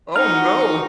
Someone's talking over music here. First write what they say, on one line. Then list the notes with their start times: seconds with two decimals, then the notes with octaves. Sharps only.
Oh, no!
0.16 D#4 F#4 F#5 F6